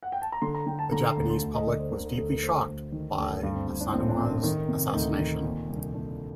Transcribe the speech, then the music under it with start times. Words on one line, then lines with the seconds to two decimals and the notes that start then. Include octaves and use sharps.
The Japanese public was deeply shocked by Asanuma's assassination.
0.03 F#5
0.12 G5
0.22 A5
0.32 A#5
0.42 D3 C6
0.55 A#5
0.66 D3 G5
0.79 A5
0.92 D3 A#5
1.05 C6
1.17 D2 A#5
1.30 C6
1.42 D2
1.54 D#5
1.67 D3 D5
1.80 C5
1.92 D3 A#4
2.05 A#4
2.17 D2 A4
2.30 A#4
2.42 D2 C5
2.68 D2
2.92 D#3
3.18 D2
3.42 G2 D4
3.55 C4
3.68 G2 C4
3.81 D4
3.92 A1 C4
4.08 D4
4.18 A1 C4
4.30 D4
4.43 D#3 A#4
4.68 C3
4.94 D2 D#4
5.19 D#3
5.43 A#2 C4
5.69 C2
5.77 D4
5.94 A#2 D4